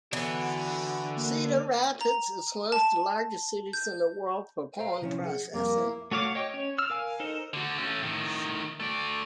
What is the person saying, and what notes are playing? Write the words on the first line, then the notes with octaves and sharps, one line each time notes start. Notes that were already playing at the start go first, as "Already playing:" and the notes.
Cedar Rapids is one of the largest cities in the world for corn processing.
D3 E3 B3 D4 F#4
A#3
A#5
A5
G6
C5 F5 A#5
C3 F3 C#4 E4
G#4 F#5
F2 G3 A#3 A#4
E4
A3 F#4 C#5 F5 D6
C#5 D#5 G5
C#4 C#5
E6 F6
A#4 F5 G#5
D#4 A4 A#4 C5 D#5
D3 F#4
A3 C#4
A2 D#3
A3 D5